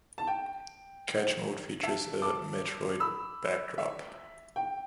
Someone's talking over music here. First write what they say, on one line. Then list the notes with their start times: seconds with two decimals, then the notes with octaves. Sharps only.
Catch mode features a "Metroid" backdrop.
0.18 A5
0.27 G5
1.83 E5 A5
2.22 A5 D6
3.00 B5 E6
3.78 E5
4.56 G5